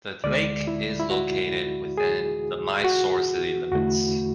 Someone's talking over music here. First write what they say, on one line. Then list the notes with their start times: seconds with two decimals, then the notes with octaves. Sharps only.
The lake is located within the Mysore city limits.
0.24 D2 D3 G#3 D5
0.67 E4
0.99 E4
1.10 F#4
1.98 G#4
2.84 F#4
3.72 E2 D3 A3 E4 F#4